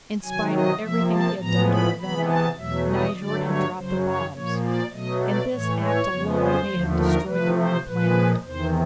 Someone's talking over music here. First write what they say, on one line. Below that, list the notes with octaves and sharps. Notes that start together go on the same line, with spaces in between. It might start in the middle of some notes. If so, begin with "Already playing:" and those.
In spite of everything he had done to prevent it, Nyjord had dropped the bombs. And this act alone may have destroyed their own planet.
C3 D#3 F#3 G#5
D#5
C3 F3 A#3 E5
A5
A2 F3 G#3 B3 A#5
B5
C3 E3 G#3 B3 B5
A5
E2 B2 F#3 A3 E5
D#5
G2 D3 F#3 A3 D5
C#5
F#2 C#3 F#3 C5
C#5
A#2 F3 A#3 C#5
D5
B2 F#3 A3 D#5
D5
A2 E3 A3 C#5
C#5
F2 C#3 F3 G#3 B3
C5
D#2 D3 F3 A3
A#4
C3 F3 A3 B4
C5
A#2 F3 G#3 B4
E2 C3 D#3 C5